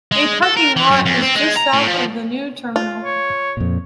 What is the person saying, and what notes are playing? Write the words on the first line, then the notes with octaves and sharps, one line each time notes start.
A parking lot is just south of the new terminal.
G#3
A4
A#4
E3
F#2
F2
C4
G#3
A#5
A2
F3
F4
C#5
F2 A#2